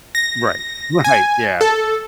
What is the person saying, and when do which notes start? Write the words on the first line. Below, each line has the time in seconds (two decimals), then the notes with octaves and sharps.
Right, right, yeah.
0.15 A#6
1.04 G#5
1.61 A4